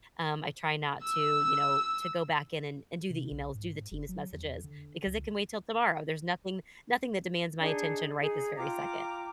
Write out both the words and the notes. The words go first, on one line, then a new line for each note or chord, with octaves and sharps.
um, I try not to, you know, to go back in and and do the emails, do the Teams messages because it can wait till tomorrow. There's nothing nothing that demands my attention right this very second.
E6
C3
B1
G#2
F#1
F#3
E2
D3
C#2
D4 D#4 G#4
D#4 G#4
F4 G5 A#5 D6